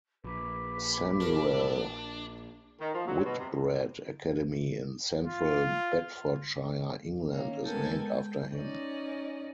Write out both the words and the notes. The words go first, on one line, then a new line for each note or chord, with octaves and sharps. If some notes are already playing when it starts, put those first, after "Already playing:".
Samuel Whitbread Academy in Central Bedfordshire, England, is named after him.
A#1 B4 B5 D6
D4 F#4 A#4
D#3
F3
F#3
B2
C3
F4
D#3 A#3 C#4
G#3 B3 A4 A#4 G5 G#5
G5
C#4 D#4 D5 D#5